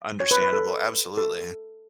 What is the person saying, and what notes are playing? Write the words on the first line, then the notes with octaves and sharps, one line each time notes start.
Understandable, absolutely.
C#5
B4
B4
A4
A4